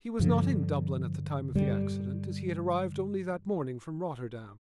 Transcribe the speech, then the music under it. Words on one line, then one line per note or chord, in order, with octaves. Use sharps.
He was not in Dublin at the time of the accident as he had arrived only that morning from Rotterdam.
G2 D3 F3
G2 D3 G3